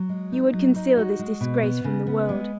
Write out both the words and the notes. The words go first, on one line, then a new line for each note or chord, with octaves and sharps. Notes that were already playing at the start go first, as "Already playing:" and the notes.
You would conceal this disgrace from the world.
Already playing: F#3
G#3
D#4
F#3
D#4
F#4
G#3
B2
B3
C#3
B3
G#3